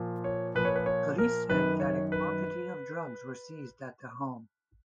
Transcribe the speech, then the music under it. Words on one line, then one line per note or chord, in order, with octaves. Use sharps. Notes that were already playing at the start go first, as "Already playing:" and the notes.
Police said that a quantity of drugs were seized at the home.
Already playing: A#2 F3
C#5
A#2 F3 B4
C#5
B4
C#5
A#4
F#2 D#3 B4
C#5
B4